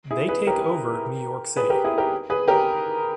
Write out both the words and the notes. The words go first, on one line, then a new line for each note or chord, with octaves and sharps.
They take over New York City.
E4 G#4
G#4 B4
G4 A#4
G#4 B4
G4 A#4
E4 G#4
G4 A#4
G#4 B4
G4 A#4